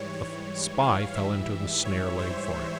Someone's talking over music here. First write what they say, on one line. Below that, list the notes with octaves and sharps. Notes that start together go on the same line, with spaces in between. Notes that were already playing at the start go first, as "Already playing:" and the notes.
The spy fell into the snare laid for him.
Already playing: G#2 E3 G3 C#5
C#5
F5
G#2 E3 G3 E5
C#5
C5